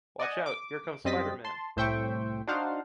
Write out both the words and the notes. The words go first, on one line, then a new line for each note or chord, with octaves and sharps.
Watch out, here comes Spider Man!
D5 D#5 F#5 G#5
D6
F#2 G3 C4 D#5 A6 B6
A5 C6
C2 A2 C5 E5 G5 C#6
D4 D#4 F#4 C5 F5 F#5